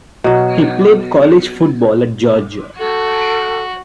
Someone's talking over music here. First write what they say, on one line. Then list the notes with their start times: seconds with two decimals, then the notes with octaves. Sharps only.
He played college football at Georgia.
0.24 B2 F#3
2.78 F#4 A4